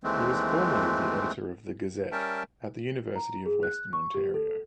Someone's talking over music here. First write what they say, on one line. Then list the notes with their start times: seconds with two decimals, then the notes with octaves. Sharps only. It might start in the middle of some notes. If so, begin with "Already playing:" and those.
He was formerly the editor of the "Gazette" at the University of Western Ontario.
0.04 D#2 E3 G#3 A3 C4
2.12 G3 C#4 A#4 E5 G5 A5
3.16 A#5
3.46 G#4
3.63 F#6
3.93 C#6
4.15 G4
4.34 A4